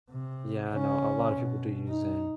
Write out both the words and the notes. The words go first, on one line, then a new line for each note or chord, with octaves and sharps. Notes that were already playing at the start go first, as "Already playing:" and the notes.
Yeah. I know. A lotta people do use Zen.
C3
C#3 C#4
B2
D#4